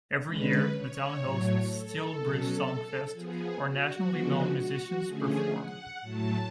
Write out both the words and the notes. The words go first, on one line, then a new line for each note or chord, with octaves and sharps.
Every year, the town hosts "Steel Bridge Songfest," where nationally known musicians perform.
D3 G#3 C#4 B4
C#5
A2 F#3 A3
A4
B2 F#3 C#4
F3 B3 G#4
F#4
D3 F3 G#3 B3
F#4
D3 F3 A3 C#4 G#4
F#5
A2 F#3 A3 A5